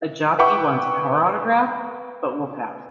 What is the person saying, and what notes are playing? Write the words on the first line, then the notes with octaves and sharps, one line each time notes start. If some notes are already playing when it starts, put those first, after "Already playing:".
A jockey wants our autograph, but we'll pass.
B4 E5 F#5 G5 C#6 D6